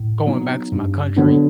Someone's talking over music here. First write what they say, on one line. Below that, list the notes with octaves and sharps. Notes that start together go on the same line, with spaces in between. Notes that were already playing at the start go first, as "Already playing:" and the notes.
going back to my country
Already playing: A2
F#3 B3 D#4
G2
D3 F#3 B3 D4